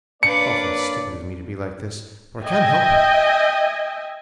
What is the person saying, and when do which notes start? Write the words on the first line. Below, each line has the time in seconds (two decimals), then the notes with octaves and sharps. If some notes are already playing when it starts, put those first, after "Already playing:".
It's awfully stupid of me to be like this, but I can't help it.
0.23 A#3 C#4 D4 B4 D5 C#7
2.44 D#5 E5 G5 G#5